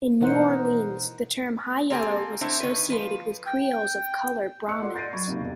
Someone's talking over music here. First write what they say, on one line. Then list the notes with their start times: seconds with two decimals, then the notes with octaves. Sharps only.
In New Orleans, the term "high-yellow" was associated with Creoles of colour "brahmins".
0.21 B2 E3 D#4 A#4 C5 F#5
1.90 A#3 C4 G4 A4 C#5 G#5
2.41 C4 D4 E4 C5 C#5 E5
2.60 D#3 B4
2.90 F3 B4
3.46 G5
4.68 D#5 E6 F#6 C#7
4.82 F4 A4 D5 F#5 C6 D6
4.95 G6 A6 A#6 C7 D7 D#7
5.13 F#3 B5 C#6 G#6
5.27 G#2 C3 A#3
5.40 E1